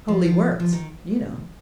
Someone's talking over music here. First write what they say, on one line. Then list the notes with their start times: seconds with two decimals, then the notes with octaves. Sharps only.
Holy works, you know.
0.08 F3
0.26 F3
0.60 F3
0.73 D#3